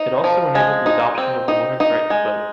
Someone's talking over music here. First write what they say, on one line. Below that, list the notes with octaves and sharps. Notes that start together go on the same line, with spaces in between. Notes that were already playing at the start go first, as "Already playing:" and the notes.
It also enabled the adoption of the women’s right to vote.
Already playing: D#4
F3
G#3
D#4
C4
D#4
D#4
G#3